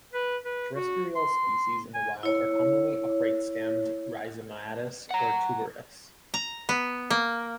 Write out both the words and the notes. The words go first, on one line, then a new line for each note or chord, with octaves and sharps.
Terrestrial species in the wild are commonly upright-stemmed, rhizomatous, or tuberous.
B4
B4
F#4
C6
G#5
E4 C#5
F#5 A#5
A#5
B3
A#3